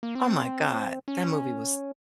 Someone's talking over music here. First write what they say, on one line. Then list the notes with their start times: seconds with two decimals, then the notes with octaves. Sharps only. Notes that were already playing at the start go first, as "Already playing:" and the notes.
oh my god. That movie was
0.03 A#3
0.15 C4
1.08 C#4